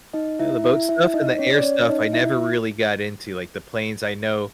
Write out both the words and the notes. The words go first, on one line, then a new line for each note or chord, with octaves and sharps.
Yeah, the boat stuff and the air stuff, I never really got into. Like, the planes, I know
D#4 D#5
E4 E5
E4 E5
E4 E5
D#4 D#5
C#4 C#5
D5
C#4 C#5
D#4 D#5
E4 E5